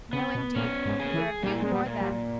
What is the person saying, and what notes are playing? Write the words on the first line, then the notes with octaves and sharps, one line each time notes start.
No, indeed, neither of you nor them.
C#3 B3
B2
A#2 C#4
G#2
G#4
E3
A#2 G3
G#3
G3
A#2
G3